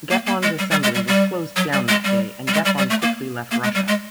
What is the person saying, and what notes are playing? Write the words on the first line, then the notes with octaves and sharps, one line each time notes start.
Gapon's Assembly was closed down that day, and Gapon quickly left Russia.
A#3
A#3
G#3
G3
G3
G#3
G3
G3
F#3
G3
G#3
G3
G3
G#3
G3
G3
A3
A#3
A#3
G#3
G3
G#3